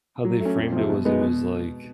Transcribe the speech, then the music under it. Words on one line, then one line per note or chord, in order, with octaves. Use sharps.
how they framed it was it was like,
F#3
A3 C#4
F2
C3 F3
B2
G#3 B3 D#4
B2